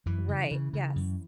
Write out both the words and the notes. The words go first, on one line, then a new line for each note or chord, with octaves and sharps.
Right, yes.
F#2 E3
C#3
C#3
C#3
F#2